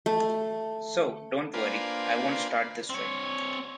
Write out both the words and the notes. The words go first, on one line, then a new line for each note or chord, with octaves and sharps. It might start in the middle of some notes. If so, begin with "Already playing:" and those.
So, don’t worry, I won’t start this way.
A3
A#3 D4 F4 B4 C5 G#5
C4 C#5